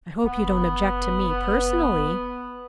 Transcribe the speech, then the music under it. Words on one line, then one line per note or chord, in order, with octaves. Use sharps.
"I hope you don't object to me personally."
F#1 B3